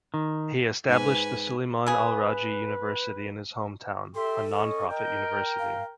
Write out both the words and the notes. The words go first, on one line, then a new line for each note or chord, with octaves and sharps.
He established the Sulaiman Al Rajhi University in his hometown, a non profit university.
D#3
G#2 B4 G#5
C#3 G#4 B4
G4 A4 E5 C6
C#4 D#5 C#6
A#4 D#5 G5
F5